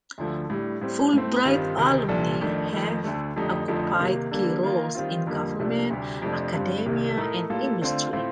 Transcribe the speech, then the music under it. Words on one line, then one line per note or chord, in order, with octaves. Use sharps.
Fulbright alumni have occupied key roles in government, academia, and industry.
D2 D3 F3 A3
A2 G3 D4
A2 G3 C4
A2 A3 C4
G2 D#3 G3 C4 F4
D2 C3 D#3
C2 A#2 G3 D4 A4
F2 D#3 A3 D4
F2 D#3 A3
D2 D3 A3
F2 D3 A3 D#4 G4
F2 D3 F3 A3 D#4
C3 D#3 A#3
D3 G3 A#3 D4
D#3 A#3 F4 A#4
D#3 G3 C4 F4
F2 D3 G3 A#3
C2 C3 F3 A3 D4
D2 C3 G3 D4 G4
F2 C3 F3 A3 D4
G2 D3 G3 C4 F4
C2 C3 D#3 A#3
A2 A3 D#4 A#4
A2 G3 A#3 F4 A4
D3 A3 C4 F4
A2 A3 C4 F4